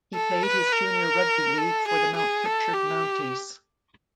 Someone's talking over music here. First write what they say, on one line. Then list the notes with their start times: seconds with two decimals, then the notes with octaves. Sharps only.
He played his junior rugby league for the Mount Pritchard Mounties.
0.15 A4
0.43 B4
0.72 A#4
1.58 A4
1.87 G#4
2.16 G#4
2.45 A4
2.73 G4